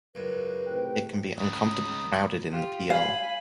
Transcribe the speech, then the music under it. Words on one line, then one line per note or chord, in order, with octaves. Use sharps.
It can be uncomfortably crowded in the p.o.
C#2 F#2 B4
A2 C3 G5
C#2 D#4 B5 D#6
F4 G4
F5 G#5 B5